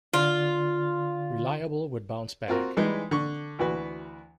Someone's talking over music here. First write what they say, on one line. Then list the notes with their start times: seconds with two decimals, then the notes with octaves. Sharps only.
Reliable would bounce back.
0.14 D3 F4 D5
2.48 C4 F4 F#4 A#4
2.77 E3 G3 G#3 D#4 B4
3.11 D3 C#6
3.59 D2 E3 F#4 B4